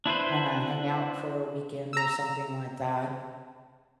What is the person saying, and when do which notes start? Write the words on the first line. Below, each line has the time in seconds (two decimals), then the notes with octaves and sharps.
kinda hang out for a weekend or something like that,
0.06 D4 E4 B4 C5
1.93 A#5 E6